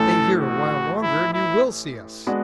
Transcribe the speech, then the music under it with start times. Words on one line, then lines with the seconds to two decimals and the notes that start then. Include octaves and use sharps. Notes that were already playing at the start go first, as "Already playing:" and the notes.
"Stay here a while longer and you will see us!"
Already playing: A1 A2 E3 A3 A4
0.40 F#4
1.02 E4
1.33 E4
2.27 G#3 B3 D4 F#4